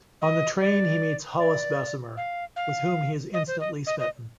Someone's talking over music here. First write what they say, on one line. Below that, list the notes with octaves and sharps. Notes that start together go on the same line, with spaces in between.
On the train he meets Hollis Bessemer, with whom he is instantly smitten.
D#5
D5
D5
F5
F5
D#5
C5
D#5
D#5
D#5